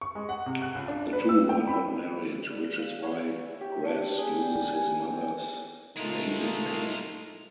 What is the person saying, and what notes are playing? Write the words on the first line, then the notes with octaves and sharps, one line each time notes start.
The two were not married, which is why Gress uses his mother's maiden name.
C#6
G#3
F#5
C3
F#6
C#2
D4
B4
E6
G5
B5
D5
F5
C#5
E5
G4
D4
G#4
G4
G#5
C4
A#2 G#3 A3 D#4 F4